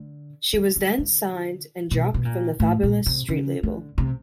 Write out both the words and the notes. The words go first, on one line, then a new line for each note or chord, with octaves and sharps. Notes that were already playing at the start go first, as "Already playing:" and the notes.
She was then signed and dropped from the Fabolous street label.
Already playing: D3
D#3
D3
D3
B2
B2
A#2
A2
A#2
C3
C#3
D3
C3